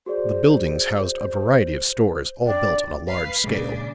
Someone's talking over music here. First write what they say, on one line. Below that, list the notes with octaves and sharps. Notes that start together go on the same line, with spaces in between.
The buildings housed a variety of stores, all built on a large scale.
F#4 G#4 C5 D5
D4 D5 G5
B4 F5
A#2 C#3 G#3 D4